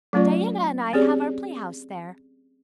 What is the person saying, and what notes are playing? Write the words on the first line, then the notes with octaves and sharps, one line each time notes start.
Diana and I have our playhouse there.
F#3 A3 C#4 F4 D5
C4 C#4 G4 G#4 C#5 D5